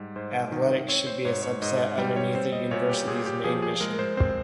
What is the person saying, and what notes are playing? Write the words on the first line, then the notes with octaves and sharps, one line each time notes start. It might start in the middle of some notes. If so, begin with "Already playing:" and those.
Athletics should be a subset underneath a university's main mission...
Already playing: G#2 G3
G#2 C5
D#3
C4 C#5
C5
G#2 C#5
C#5
G#2 D#5
G3 G5
C#5
C4 C5
D#5
A#2 C#5
G4
A#2 G#4
G4
F3 G#4
G#4
G#3 A#4
C5
C4 C5